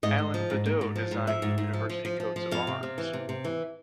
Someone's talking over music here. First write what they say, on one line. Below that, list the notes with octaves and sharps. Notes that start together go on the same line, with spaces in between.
Alan Beddoe designed the university coats of arms.
G#2 D#5
G#2
F3
G#2
A#3
G#2
F3
G#2
F3 E5
G#2
G#2
F3
F3
F3
F3
F3
F2 F5
C3
C3
E3
C3
C3
E3